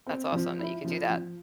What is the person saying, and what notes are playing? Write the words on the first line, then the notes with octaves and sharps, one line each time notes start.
That's awesome that you could do that.
C4
F3
E4
F3
F3